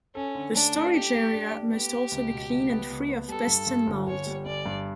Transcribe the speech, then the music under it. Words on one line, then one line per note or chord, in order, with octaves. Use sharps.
The storage area must also be clean and free of pests and mould.
C#4 A4
D3
A3 D4
A3
A3 G4
A4
D4
A3
B3 G4
B3
C#2
B2
C#2
B3
C#2
B3
G3 A4
G2
G2
G1
G1 C#5
G3
G1 D5
G2